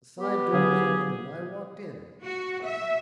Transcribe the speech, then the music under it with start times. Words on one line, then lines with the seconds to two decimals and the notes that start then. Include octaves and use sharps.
The side door was open and I walked in.
0.19 B3 G4
0.53 D3 F#3 G#4 F5
2.24 F#4
2.65 E5